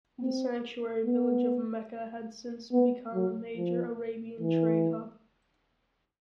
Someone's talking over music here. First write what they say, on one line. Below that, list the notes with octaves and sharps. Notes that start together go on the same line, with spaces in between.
The sanctuary village of Mecca had since become a major Arabian trade hub.
C4
B3
B3
F#3
F3
E3